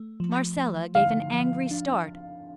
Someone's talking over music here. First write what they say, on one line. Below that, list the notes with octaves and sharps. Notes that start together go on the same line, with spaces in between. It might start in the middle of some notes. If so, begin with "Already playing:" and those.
Marcella gave an angry start.
Already playing: A3
F3
F3
D3 F5
F3
D4